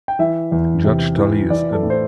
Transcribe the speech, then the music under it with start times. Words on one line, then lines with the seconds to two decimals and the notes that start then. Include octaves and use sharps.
Judge Tully is in.
0.08 G5
0.19 E3 E5
0.52 E2
0.84 C3
1.17 E3
1.50 E3 D5
1.73 A4
1.83 A2
1.90 C5